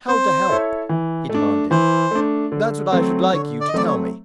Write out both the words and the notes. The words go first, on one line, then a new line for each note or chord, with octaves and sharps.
How to help?" he demanded "That's what I should like you to tell me.
C4 C5
E4 A4 C#5 E5
E3
A3
D4
E3 C5
A3 D4
D3
F#3 A3 C4
D3 C#5
D5
D#5
F#3 A3 C4 D5
C#5